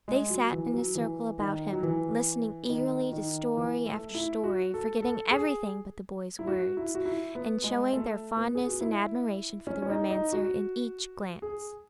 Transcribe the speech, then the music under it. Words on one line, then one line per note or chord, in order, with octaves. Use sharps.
They sat in a circle about him, listening eagerly to story after story, forgetting everything but the boy's words, and showing their fondness and admiration for the romancer in each glance.
G#3
F#3
E3
F#3
E3
D#3
F#3
E3
D#3
D#3
E3
A3
E4
F#4
A4
A4
G#4
E4
F#4
E4
F#4
E4
B3
G#3
A3
B3
G#4
F#4
E4
C#4
C#4
D#4
D#4
F#4
G#4